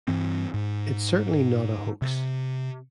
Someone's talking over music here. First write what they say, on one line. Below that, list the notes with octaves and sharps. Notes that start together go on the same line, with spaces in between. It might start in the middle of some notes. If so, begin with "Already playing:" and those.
It's certainly not a hoax.
G2 E3 C4
G#2
C3